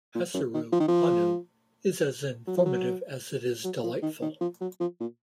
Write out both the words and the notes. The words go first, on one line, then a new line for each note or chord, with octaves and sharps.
"Hasiru honnu" is as informative as it is delightful.
A#2
F#2
D#3
F3
D#3
F3
F#3
F3
F#3
F#3
F3
D#3
D#3
F3
F#3
F3
A#2